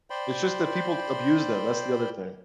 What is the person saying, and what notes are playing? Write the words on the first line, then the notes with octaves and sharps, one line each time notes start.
It's just that people abuse them, that's the other thing.
C5 D5 G5 B5 C6